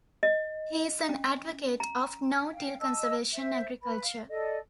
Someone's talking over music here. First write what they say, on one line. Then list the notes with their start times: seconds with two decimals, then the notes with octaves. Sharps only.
He is an advocate of no-till conservation agriculture.
0.23 D#5
1.09 C#4
1.80 A#5
2.53 F5 G5
2.80 D#5 A5 E6
3.34 C5 E5
3.82 B4 B5
4.02 F5
4.29 A4 D5 D#5